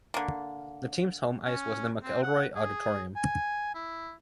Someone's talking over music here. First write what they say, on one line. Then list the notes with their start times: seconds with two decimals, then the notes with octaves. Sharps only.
The team's home ice was the McElroy Auditorium.
0.14 D3 A#3
1.45 C#4
2.03 C4
2.23 F#5
2.56 G#4
3.16 G#5
3.75 E4